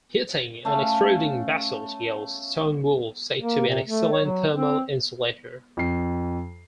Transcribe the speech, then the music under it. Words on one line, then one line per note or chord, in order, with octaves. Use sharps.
Heating and extruding basalt yields stone wool, said to be an excellent thermal insulator.
A3 C#4 F5 A5
A#3
C3
A3
C#5
F#3
C4
F2 C7